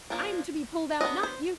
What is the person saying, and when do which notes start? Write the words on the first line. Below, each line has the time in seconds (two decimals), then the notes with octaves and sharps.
'I'm to be pulled out, not you.
0.10 F3 A#3 D4
1.01 F#3 B3 D4 D#5
1.23 C5